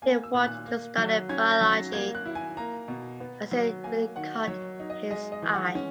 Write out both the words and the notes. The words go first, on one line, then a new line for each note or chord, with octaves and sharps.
He wanted to study Biology, as it really caught his eye.
A#3 G#5
E6
A#2
F#6
A#3
F#3
C#4 G#6
A#6
F#3
A#6
A#3 G#6
F#6
E4
G#5
A#3 A#5
B2
B3
F#3
A#3 G#5
D#3 F#5
F#3 C#5
D#4
D#5
G#3 D#5
D#5
E3
F#5
C#4